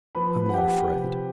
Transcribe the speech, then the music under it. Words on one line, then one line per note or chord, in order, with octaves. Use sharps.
"I'm not afraid."
F3 B4 B5
F3
F#5
G4 G5
F3
C3